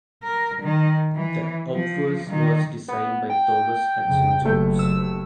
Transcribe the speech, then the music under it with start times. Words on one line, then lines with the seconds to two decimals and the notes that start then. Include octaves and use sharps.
The obverse was designed by Thomas Hudson Jones.
0.23 A#4
0.62 D#3
1.16 E3
1.73 F3
2.30 D#3
2.88 B3
3.30 G5
4.05 F2 C#3
4.45 F#1 D#2 A3
4.79 E6